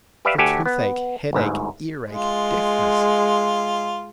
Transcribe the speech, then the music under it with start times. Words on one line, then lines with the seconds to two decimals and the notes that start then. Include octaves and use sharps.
For toothache, headache, earache, deafness.
0.25 G4 B4 D5 E5 F5
0.38 D2 G4 A4 F#5 G#5
0.66 B3
1.33 G1 D2 G#2
2.12 G#3 F4